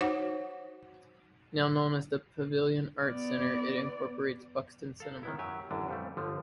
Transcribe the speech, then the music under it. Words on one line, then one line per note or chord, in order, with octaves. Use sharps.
Now known as The Pavilion Arts Centre it incorporates Buxton Cinema.
D#4 F#4 C5 C#5 F#5 D6
B3 D5
A4 F5 A#5
D#3 B3 E4
F#2 F#3 G4 G#5
A1 F#2 D3 D4
F2 G3 A3
G1 D3 F3